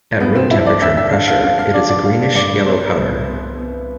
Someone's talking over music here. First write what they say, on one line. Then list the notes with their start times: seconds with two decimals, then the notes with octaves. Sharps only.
At room temperature and pressure it is a greenish yellow powder.
0.20 G2 B3
0.36 C4
0.51 D4 E4
0.66 D5
0.82 D3 E5
0.97 E5
1.12 D4 F5
1.28 F5
1.43 D4 F5
1.59 F5
1.74 D4 D5
1.89 D5
2.04 A3 F5
2.35 G2 D5
2.66 B3 C5
2.98 C2
3.28 B3
3.58 B3